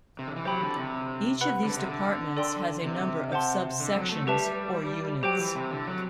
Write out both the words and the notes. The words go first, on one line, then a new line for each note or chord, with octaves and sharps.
Each of these departments has a number of sub-sections or units.
C3
D3
E3
F#3 G4 C5 G5 B5
D3
C3
G4 B4 F#5 B5 F#6
D3
C3
D3
A4 D5 G5 C6 E6
C3
C5 F#5 A5 C6
D3
F#3
A3
G3 G4 B4 E5 A5
F#3 G4 C5 G5
E3
C3
D3
F#3